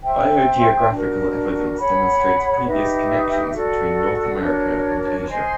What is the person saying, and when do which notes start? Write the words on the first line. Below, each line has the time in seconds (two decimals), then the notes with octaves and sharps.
Biogeographical evidence demonstrates previous connections between North America and Asia.
0.02 C5 E5 G5
0.89 D4 F#4 A#4
1.77 G#4 C#5 F#5 B5
2.64 D#4 G4 B4 E5
3.52 F#4 A4 D5
4.39 D4 F#4 A#4 C#5
5.27 C5 D#5 G#5 C6